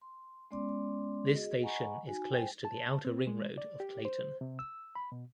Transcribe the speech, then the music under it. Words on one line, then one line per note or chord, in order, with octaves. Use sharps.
This station is close to the outer ring road of Klaten.
C6
G#3 B3 C#4 D5 C6 D6
F#4 G#4 D#5
D#5 F#5 G#5 A#5 B5 C#6
D#4 F#4 G#5
C5 G5 G#5
A5
C4
G#3
D5
G4
C5
C3
E6
B5
B2